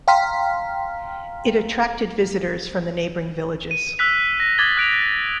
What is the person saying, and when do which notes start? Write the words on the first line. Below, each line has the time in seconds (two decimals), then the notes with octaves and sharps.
It attracted visitors from the neighboring villages.
0.08 F5 G5 A#5 C6 F6 B6
3.71 D#7
3.99 E6 F#6 B6 F7
4.40 A#6
4.58 D6 D#6 G#6 A6 F#7 G7
4.77 F#6 D7 F7